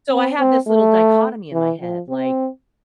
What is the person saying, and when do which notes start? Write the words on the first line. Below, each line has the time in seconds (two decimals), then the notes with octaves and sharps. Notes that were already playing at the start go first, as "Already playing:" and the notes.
So, I have this little dichotomy in my head like,
0.11 C4
0.39 C4
0.67 A3
1.53 E3
1.81 F3
2.09 C4